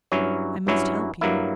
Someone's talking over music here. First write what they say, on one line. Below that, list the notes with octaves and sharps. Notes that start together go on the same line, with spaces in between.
I must help you.
G2 F#3 C#4 E4
G2 F#3 C#4 E4
G2 F#3 A#3 E4